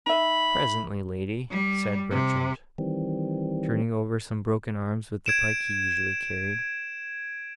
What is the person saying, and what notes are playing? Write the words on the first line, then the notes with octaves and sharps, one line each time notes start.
'Presently, lady,' said Bertrand, turning over some broken arms with the pike he usually carried.
D#4 E5 B5
G3
C3
D#3 E3 G3 C4
G#6 D7 E7